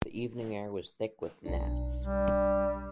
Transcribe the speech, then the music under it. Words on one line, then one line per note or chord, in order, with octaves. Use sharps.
The evening air was thick with gnats.
B1 D4
G3